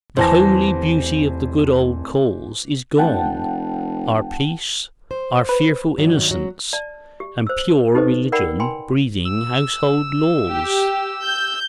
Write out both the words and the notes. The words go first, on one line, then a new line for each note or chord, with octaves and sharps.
The homely beauty of the good old cause Is gone; our peace, our fearful innocence, And pure religion breathing household laws.
E2 A2 C3 E3 C5 G#5 A5 A#6
F1 F#5 G5 A5
C5
B4
G2 D#3 F#3
F#3
D5 A5
G4
C5 E6
D#4 G4 A4 B4 C5 D#5
A#4 D5 F#5 G5 B5
G5 G#5 B5 C6
E6
G4
G6